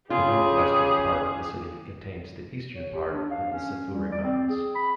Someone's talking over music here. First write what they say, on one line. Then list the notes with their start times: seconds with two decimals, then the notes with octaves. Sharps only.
The northwestern part of the city contains the eastern part of the Sefuri Mountains.
0.10 C#3 F4 G4 G#4
2.75 C#5
2.93 G4
3.13 D4
3.31 F5
3.52 C#4
3.91 G3
4.12 D5
4.23 C4
4.49 G#4
4.75 B5